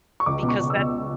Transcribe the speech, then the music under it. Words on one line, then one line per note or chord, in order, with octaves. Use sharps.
because that
C#6
C#2 D6
B2
C#6
B2
E6
C#2